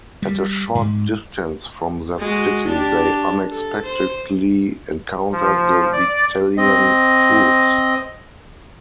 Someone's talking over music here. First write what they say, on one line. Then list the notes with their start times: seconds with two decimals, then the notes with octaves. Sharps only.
At a short distance from that city they unexpectedly encountered the Vitellian troops.
0.22 G3
0.75 G#2
2.19 G#3 F#4
2.67 D4 G4
3.49 A4
3.85 C5
5.32 F3
5.92 D5
6.57 C4 D#5